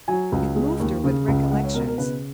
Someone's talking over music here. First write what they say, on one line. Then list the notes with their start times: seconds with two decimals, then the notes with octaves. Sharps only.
It moved her with recollections.
0.08 F#3 G#5
0.32 C#2
0.55 G#3
0.79 D#2
1.04 C#3
1.28 C#2
1.51 G#3 F#5
1.63 C#5
1.74 B2 A#4
1.87 A#4
1.98 C#3 B4